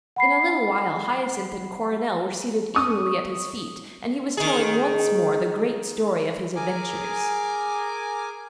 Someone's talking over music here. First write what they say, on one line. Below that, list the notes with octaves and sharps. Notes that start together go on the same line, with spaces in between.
In a little while Hyacinth and Coronel were seated eagerly at his feet, and he was telling once more the great story of his adventures.
F#5 B5 C7
C#6 D#6
D#3 G#4
G#4 A#4 G#5 D6